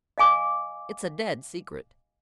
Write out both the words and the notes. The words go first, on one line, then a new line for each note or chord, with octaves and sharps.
It's a dead secret.
D#5 F5 G#5 D6